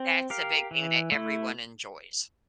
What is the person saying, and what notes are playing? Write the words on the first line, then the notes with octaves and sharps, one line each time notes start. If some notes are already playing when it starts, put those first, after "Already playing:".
That's a big thing that everyone enjoys.
Already playing: C4
G4 A#4 F5
E3
A3 E4